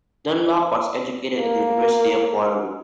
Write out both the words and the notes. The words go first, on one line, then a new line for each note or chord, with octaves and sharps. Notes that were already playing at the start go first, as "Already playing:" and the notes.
Dunlop was educated at the University of Waterloo.
A#3